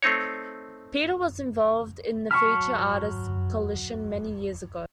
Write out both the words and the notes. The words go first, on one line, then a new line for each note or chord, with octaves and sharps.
Peter was involved in the Featured Artists Coalition many years ago.
A3 C4 D#4 C#5
F#3 A5 B5 C#6 F6